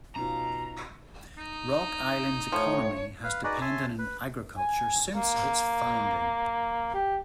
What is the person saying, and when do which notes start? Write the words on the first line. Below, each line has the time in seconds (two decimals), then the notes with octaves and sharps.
Rock Island's economy has depended on agriculture since its founding.
0.16 B2 C#4 D#4 F4 A#5
1.38 D#4
2.52 A2 F3 C#5
3.24 B4 F5
3.44 D#4 F#4 G#4 B4 D5 D#5
3.61 C#5 E5 G#5 A5 C6
3.99 B4
4.57 G#5
5.14 A#3
6.94 G4